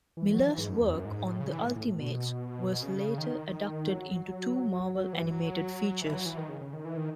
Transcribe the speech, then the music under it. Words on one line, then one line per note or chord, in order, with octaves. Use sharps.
Millar's work on "The Ultimates" was later adapted into two Marvel Animated Features.
E3
F#3
E3
G#2
F#2
E2
F#2
G#2
A2
C#3
E3
A2
A2
A2
B2
C#3
D#3
F#3
F#3
E3
F#3
E3
F#3
E3
D#3
C#3
C#3
D#3
E3
D#3